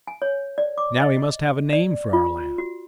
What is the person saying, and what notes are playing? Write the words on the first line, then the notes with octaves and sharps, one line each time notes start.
Now we must have a name for our land.
G#5
C#5
D5
D6
D#5
D5
F4
F#4